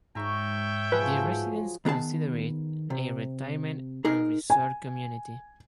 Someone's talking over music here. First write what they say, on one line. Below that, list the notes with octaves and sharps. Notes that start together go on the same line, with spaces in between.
The residents consider it a retirement and resort community.
G#2 C#5 E5 G5 A#5 C#6
F3 F#3 G#4 B4
D#3 B3 G#4 A5
C3
D#4 G#4 A#4
G#5